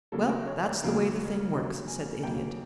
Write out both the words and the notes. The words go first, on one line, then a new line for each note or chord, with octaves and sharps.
"Well, that's the way the thing works," said the Idiot.
D#2 C#3 F#3 A#3 A4
A#4
C#5
D5
D#2 C#3 F#3 A#3
D#2 C#3 F#3 A#3 D#5
G#5
D#2 C#3 F#3 A#3 G5